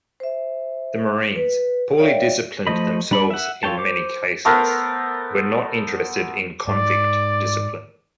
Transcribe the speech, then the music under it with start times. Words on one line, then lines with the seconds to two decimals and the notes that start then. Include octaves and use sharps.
The marines, poorly disciplined themselves in many cases, were not interested in convict discipline.
0.20 C5 E5
1.36 B4
1.98 C#5 D5 E5 F5 G5
2.67 F3 A3 C5 D#5 B5
3.11 G3 D4 B5
3.30 E5 F#5
3.63 F4 A4 C#5 G5 A5
3.78 C5 D6
4.45 A3 B3 A#4 C5
6.68 G#2 D5